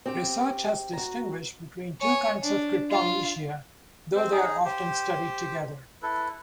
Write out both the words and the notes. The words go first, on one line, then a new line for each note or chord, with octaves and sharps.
Research has distinguished between two kinds of cryptomnesia, though they are often studied together.
C4 G4 G5
F#4 A#5
C#5 G#5
D4
F4
C4 C5
D#4 G#4
G4 C5
E4 A4 B4